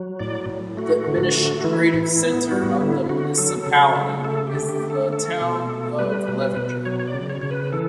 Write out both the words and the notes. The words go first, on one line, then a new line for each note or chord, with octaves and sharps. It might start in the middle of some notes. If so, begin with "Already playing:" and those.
The administrative centre of the municipality is the town of Levanger.
Already playing: F#3
A2 D5
A2
A3 F#4
D3
A3
F#4
E3 E4
A2
B3
G3 F#4
D3 E4
D3 F#4
F#3 A4
C#3
C#3
A3 A4
G4
D3
G4
A3
A4
A3 A4
B2
A3
G3 B4
B2
B2
F#3 C#5
C#5
D5
C#3
C#5
C#3 C#5
B4
E3 A4